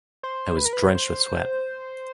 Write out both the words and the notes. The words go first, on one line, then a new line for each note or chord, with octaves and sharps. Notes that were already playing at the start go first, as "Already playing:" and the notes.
I was drenched with sweat.
C5
B4
A#4
B4
C5